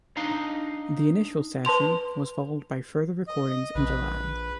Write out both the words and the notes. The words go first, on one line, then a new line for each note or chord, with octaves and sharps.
The initial session was followed by further recordings in July.
D4 D#4 F5 A#5
B4 A5 C6 F7
D#5
A#1 B4